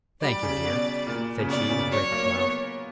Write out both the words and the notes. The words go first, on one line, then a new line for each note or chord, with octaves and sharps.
"Thank you, dear," said she, with a grateful smile.
G3 D5
C#3
B2
A#2
C#3
B2 D5
C#3
F#3 C#5
A#3
B3